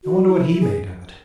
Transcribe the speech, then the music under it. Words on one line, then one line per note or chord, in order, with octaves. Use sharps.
I wonder what he made of it?
F#4
E4
E4
G#4